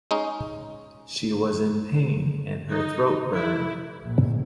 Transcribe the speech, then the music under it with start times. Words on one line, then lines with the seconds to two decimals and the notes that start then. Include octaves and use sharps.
She was in pain, and her throat burned.
0.11 G#3 C#4 D#4
2.70 D#4
3.34 E4
4.03 A#1